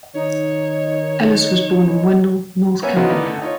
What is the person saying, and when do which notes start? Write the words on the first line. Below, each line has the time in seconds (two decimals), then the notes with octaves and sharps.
Ellis was born in Wendell, North Carolina.
0.15 D#3 D#4 C#5
2.82 A#3 B3 C#4 C#5 E5 G#5
2.96 C#3 F3 F#3 B3 D#4 F#4
3.08 E3 A3 B3 D#4 A#4 D5
3.25 D3 A3 A4
3.42 D#4 F4 C#5